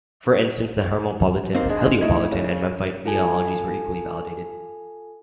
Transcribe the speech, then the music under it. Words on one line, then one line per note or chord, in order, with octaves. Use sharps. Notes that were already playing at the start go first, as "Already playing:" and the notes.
For instance, the Hermopolitan, Heliopolitan and Memphite theologies, were equally validated.
A#3 C4 D#4 C5
G#3 D4
A3 D#4 E4 G#4
C#3
F4 A4 G#5